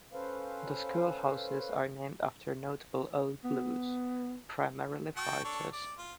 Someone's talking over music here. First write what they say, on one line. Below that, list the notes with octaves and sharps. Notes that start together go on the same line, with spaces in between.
The school houses are named after notable Old Blues, primarily writers.
C#4 A4 B4 C5 F5
B3
F#4 G5 A5
D4 A4 C#5
D5
F4